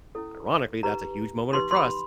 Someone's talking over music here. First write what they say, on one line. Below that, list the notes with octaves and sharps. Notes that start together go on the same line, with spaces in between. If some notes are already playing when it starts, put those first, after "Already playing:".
ironically, that's a huge moment of trust.
C#4 E4 A4
D#4 G4 B4 A#5
D#4 G4 B4 C6
C6
B5